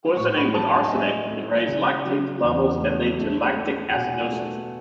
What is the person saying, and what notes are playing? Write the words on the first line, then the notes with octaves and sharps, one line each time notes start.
Poisoning with arsenic can raise lactate levels and lead to lactic acidosis.
A2 C#6
B5
F#3 A5
G#5
D#5
A3 E5
A3
C#3
F#3
E2
A3
A3
A3
F#5
B2 G#5
A3